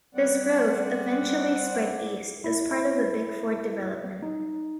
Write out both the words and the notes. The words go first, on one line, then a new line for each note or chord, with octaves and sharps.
This growth eventually spread East as part of the Bickford development.
G3 C4 D5 F#5
E4
E4
D#4